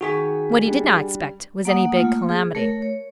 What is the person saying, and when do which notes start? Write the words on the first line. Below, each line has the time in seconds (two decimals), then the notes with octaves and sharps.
What he did not expect was any big calamity.
0.01 D#3 F#4 G#4 G#5 C#6 B6
0.66 G3 D4
1.65 A#3 F#5 D#6
1.96 A3 A#3 F4
2.29 G#4
2.55 A3 A#4 C#5
2.82 C#5